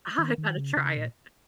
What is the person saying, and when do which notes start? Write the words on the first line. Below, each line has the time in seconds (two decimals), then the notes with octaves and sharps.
I gotta try it.
0.18 D#3
0.38 D#3
0.57 C#3
0.77 C#3
0.97 A#2